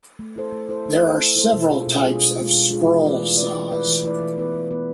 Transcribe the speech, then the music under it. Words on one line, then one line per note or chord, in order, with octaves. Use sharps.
There are several types of scroll saws.
A3
E4 A4 C5
A3
E4 A4 C5
A3
E4 A4 C5
A3
E4 A4 C5
B2
G#3 D4 F4 G#4
B2
G#3 D4 F4 G#4
B2
G#3 D4 F4 G#4
B2
G#3 D4 F4 G#4
E3
A3 E4 B4 D5
E3
A3 E4 B4 D5
E3
A3 E4 B4 D5
E3
A3 E4 B4 D5
E3
B3 E4 B4
E3
B3 E4 B4